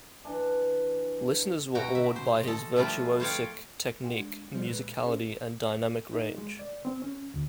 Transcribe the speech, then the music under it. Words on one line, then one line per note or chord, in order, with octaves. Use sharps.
Listeners were awed by his virtuosic technique, musicality, and dynamic range.
E3 D4
B2 F#4 G5 A#5
E5
C5
A4 D#5
F3 G3 A3 E4 F4
F4 C5 C#5 D#5 F5 G5
F#4 F5 G5 G#5 C6
G#3 D4
F3 G3 F4 G#4 C5 D5
A#2 G#3 B4 E6 F#6
C#4 E4 G#4 A#4 C5
D#4
G#3
D5
C4
C#4
D2